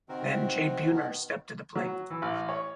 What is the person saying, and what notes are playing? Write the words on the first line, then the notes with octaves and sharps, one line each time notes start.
Then Jay Buhner stepped to the plate.
C3 D#3 C4 F#4 A#4
B2 D#3 B3
F#3
E3
A1
C#5